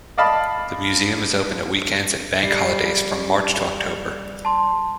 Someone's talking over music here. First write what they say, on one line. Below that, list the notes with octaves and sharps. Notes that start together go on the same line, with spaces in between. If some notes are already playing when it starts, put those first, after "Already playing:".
The museum is open at weekends and Bank Holidays from March to October.
D5 D#5 F5 A5 B5
G3 C7
A5 C6